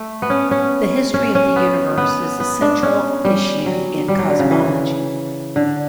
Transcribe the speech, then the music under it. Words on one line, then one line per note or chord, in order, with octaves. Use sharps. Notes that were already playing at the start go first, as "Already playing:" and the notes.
The history of the universe is a central issue in cosmology.
Already playing: A3
B3
C#4
C#4
C#4
C#4
B3
B3
B3
D4
C#4
G3
F#3
G3
F#3
D3
C#3
E3
D3